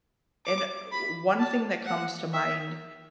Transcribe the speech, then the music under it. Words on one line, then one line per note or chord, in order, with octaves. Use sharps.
and one thing that comes to mind
D6
B5
A5
F#5
E5